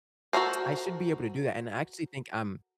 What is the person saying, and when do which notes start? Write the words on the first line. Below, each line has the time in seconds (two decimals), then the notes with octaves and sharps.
I should be able to do that, and I actually think, um,
0.33 F#4 A4 A#4 C5